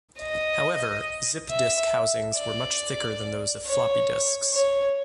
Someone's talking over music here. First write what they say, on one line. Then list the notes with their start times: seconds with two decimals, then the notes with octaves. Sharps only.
However, Zip disk housings were much thicker than those of floppy disks.
0.19 D#5
1.49 E5
2.36 D5
3.66 C#5
4.53 C#5